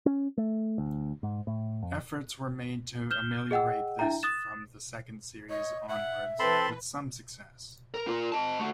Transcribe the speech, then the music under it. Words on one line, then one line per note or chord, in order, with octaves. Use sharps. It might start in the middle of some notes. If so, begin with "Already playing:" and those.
Efforts were made to ameliorate this from the second series onwards, with some success.
C#4
A3
D2
G#2
A2
F2
F6 G6 E7 G7
G#4 D#5 F#5 G5 E6
D4 E4 E5 G5 A#5
D#6 F#6 A6 E7
C#5 D#5
E5 F#5
E3 C4 A4 B4 A5 B5 C6
A#4
F4 A#4
D#5 A5
A3 F#4